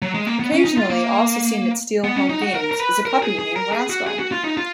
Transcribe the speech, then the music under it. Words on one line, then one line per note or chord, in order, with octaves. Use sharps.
Occasionally also seen at Steel home games is a puppy named Rascal.
F#3
G#3
A#3
B3
C#4
D#4
F4
A#3
B3
C#4
D#4
F#4
A#4
A#4
B4
A#4
G#4
G#4
A#4
G#4
F#4
G#4
F#4
F4
D#4
F4